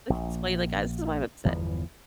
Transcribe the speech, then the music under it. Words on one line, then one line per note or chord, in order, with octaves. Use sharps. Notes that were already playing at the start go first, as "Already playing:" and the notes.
like, explain, like, "Ah, this is why I'm upset."
A#1
G1 E2 E3 F3